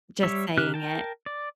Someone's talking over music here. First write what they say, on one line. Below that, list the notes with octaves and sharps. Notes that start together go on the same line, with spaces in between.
just saying it
G3 C#5 E5
C#3 G4 F6 F#6
A#4 G5 A5
D5